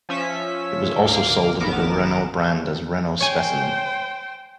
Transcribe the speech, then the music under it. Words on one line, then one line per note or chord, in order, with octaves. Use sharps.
It was also sold under the Renault brand as Renault Specimen.
F3 C#4 E5 B6
D2 A#3 F5 D6 F6
G#1 D#2 B3 A#4 D6 E7
C5 C#5 G5 G#5